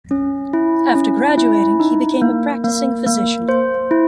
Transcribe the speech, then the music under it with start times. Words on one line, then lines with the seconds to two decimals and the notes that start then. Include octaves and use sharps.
After graduating, he became a practicing physician.
0.11 C#4
0.53 E4
0.95 C#4
1.38 E4
1.80 D#4
2.22 A#3
2.64 A#3
3.06 A#3
3.49 C5
3.91 E4